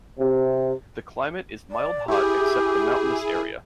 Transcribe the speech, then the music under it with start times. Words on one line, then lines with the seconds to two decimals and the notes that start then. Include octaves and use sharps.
The climate is mild-hot except the mountainous area.
0.19 C3
1.71 D5
2.08 E4 G4 G#4